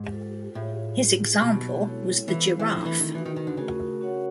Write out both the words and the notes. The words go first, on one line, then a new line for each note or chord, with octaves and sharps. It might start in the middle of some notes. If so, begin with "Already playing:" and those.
His example was the giraffe.
Already playing: G#2
F4 A4 C5
A2 F4 G#4 C#5 F5
C4 F4 G#4
B2 F#3 A#3 D#4 G4
G#3 C4 E4 A4 C#5
E3 B3 E4 A4 C5 F5
E3
F3 A3 C4 E4 A4
E3
D#3
E3 D#4 F#4 B4
D#3
D#3
D3
C#3 A3 C#4 F#4 A#4
C#4 F#4 A#4 C#5 F#5